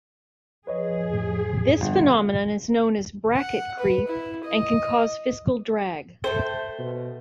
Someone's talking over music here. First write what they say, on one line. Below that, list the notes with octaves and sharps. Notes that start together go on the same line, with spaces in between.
This phenomenon is known as "bracket creep" and can cause fiscal drag.
F3 G#4 B4 C#5 D#5
F2 A2
G1 F4
F#5
B4
E4
D#5
A3 A4 C5 G5
B2